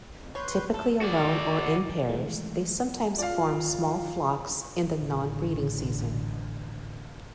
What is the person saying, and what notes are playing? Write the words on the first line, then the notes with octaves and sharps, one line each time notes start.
Typically alone or in pairs, they sometimes form small flocks in the non-breeding season.
F2
B4 C#5 C6 G6
A3 A4
F#4 D5
E3 G#3 A3
F4 D5 F5
A1 D3